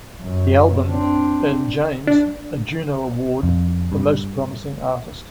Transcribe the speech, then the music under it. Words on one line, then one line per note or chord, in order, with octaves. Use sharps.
The album earned James a Juno Award for "Most Promising Artist".
F#2
C4 D4
D4
F2
G2